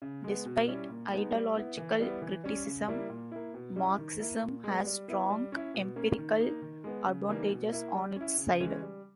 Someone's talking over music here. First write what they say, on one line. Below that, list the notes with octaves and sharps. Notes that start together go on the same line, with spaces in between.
Despite ideological criticism, Marxism has strong empirical advantages on its side.
C#3
G#3 B3
B2
G3 C#4 E4
A#2
G#3 B3 D#4
G3
B3 E4
E3
G3 B3 E4
E3
G3 C#4
C#3
G3 A#3 E4
A#2
A#3 E4
B2
G3 C#4 E4
D#3
A#3 E4
A#2
G#3 B3
G3
B3 E4
G3
C#4 E4
B2
A#3 C#4
D#3
A#3 D#4
D#3
G#3 B3
C#3
E3 G3 A#3 D#4
B2
A#3 E4
G3
C#4 E4
C#3
E3 G#3 C#4
G3